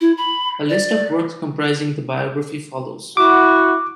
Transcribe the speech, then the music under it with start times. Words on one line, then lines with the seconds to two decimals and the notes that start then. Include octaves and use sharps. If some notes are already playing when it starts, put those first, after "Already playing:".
A list of works comprising the "Biography" follows.
0.01 E4
0.17 B5
0.69 D5
3.17 E4 F#4 D6